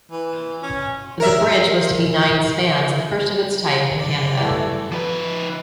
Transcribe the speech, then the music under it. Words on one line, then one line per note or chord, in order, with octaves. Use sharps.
The bridge was to be nine-spans, the first of its type in Canada.
E3
C#4
A#4 E5
F#2 D5
E3 G3 A3 A5
F3 B4